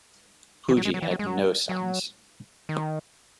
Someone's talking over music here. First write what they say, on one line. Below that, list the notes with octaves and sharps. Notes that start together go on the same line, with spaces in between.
Pujie had no sons.
E3
F#3
G#3
F#3
E3
F#3
G#3
F#3
F#3
D#3